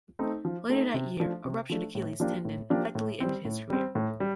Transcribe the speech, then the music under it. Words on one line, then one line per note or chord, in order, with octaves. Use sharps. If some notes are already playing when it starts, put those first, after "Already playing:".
Later that year, a ruptured Achilles tendon effectively ended his career.
A3 C4 D#4
F3
A3 C4 D#4
C3
F3 A3 D4
C3
F3 A3 D4
A2
F3 A#3 D4 G4
A2
F3 A#3 D4 G4
A2
G3 C4
A2
G3 C4
A2
G3